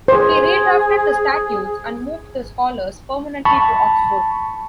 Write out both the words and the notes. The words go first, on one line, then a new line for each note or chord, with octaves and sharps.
He redrafted the statutes and moved the scholars permanently to Oxford.
G#4 C5
A5 B5 C#6